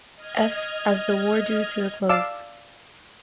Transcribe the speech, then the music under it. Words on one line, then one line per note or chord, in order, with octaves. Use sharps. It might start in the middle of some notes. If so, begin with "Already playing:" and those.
F as the war drew to a close.
D#5 F6 G#6
D5 F5 A5 D6 E6